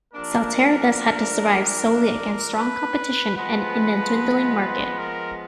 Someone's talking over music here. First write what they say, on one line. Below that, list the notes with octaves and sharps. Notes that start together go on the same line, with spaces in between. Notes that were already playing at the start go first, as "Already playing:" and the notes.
Saltair thus had to survive solely against strong competition, and in a dwindling market.
C3 F3 A#3 D4 A#4
B4
F3 G#3 B3 B4
A#4